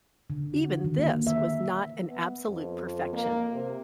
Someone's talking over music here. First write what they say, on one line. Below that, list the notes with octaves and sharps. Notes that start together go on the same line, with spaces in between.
Even this was not an absolute perfection.
D3
F#4
D#3
A#3
E5
B3
F2
A#3
C3